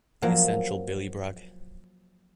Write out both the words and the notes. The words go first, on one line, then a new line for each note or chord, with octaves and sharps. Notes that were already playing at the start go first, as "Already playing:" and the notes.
The Essential Billy Bragg.
F3 F#3 A#3